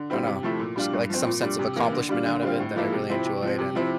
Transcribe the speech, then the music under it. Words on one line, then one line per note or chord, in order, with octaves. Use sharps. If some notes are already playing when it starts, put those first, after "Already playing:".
I don't know. Just get, like, some sense of accomplishment out of it that I really enjoyed, and
Already playing: D3
G3 C4 E4
C3
F3 A3 E4
A#2
G3 D4 F4
G2
F3 C4
A#2
G3 D4
C3
E3 A#3
D3
G3 D4 F4
D3
G3 C4 F4
A2
F3 A#3 E4
C3
F3 C4 E4
C3
F3 C4
C3
F3 C4 E4